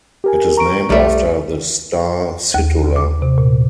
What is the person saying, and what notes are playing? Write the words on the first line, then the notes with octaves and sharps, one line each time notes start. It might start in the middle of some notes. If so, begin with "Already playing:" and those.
It is named after the star Situla.
G4 A#4 G#5
A#5 C#6 D7
B1 G3 A3 D5
D#2
D6
C3
A#2